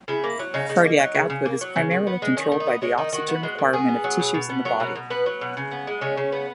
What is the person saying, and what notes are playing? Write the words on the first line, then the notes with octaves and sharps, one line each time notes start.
Cardiac output is primarily controlled by the oxygen requirement of tissues in the body.
C#3 E4
A#3
F#3
C#3 D#4
C#3
A#3
F#3
C#3
C#3
A#3
F#3
C#3
D#3
B3
G#3
D#3 C#4
D#3
D#4
B3
G#3 C#4
D#3 D#4
D#3 F#4
B3 F#4
G#3
D#3
B2 G#4
B3
F#3
B2
B2
B3
F#3 A#4
B2
B2
B3 B4
F#3
B2
C#3
B3
G#3
C#3 C#4
C#3
B3